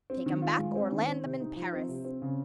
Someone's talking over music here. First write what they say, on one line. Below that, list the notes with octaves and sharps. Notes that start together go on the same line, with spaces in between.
Take 'em back, or land them in Paris.
C4
D#3
F4
G#3
C4
D#3
C4
C3
D#4
F3
C4
C3
C4
C#3